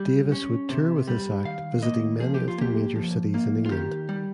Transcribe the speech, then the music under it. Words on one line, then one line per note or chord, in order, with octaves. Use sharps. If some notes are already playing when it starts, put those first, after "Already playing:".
Davis would tour with this act visiting many of the major cities in England.
Already playing: G3
C#4
C3
G3
D#3 F5
A#3 D#5
F3 G#4
G4
F4
A#3 G4
F3
A#3
F4
D#3 G4
G3